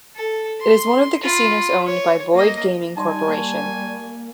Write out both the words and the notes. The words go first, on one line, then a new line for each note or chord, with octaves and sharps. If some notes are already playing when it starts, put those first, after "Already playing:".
It is one of the casinos owned by Boyd Gaming Corporation.
A4
C6
F4 B5
C#5
A#3 D#5
G3 D#4 G#5 A5 C6
A#3 A5 C#6